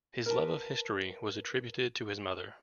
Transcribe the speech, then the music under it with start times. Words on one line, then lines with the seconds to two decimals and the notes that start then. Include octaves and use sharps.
His love of history was attributed to his mother.
0.26 A#4 B4 A5